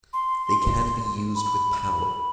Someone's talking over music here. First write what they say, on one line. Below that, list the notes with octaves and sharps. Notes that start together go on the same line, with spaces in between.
They can be used with power.
C6
B5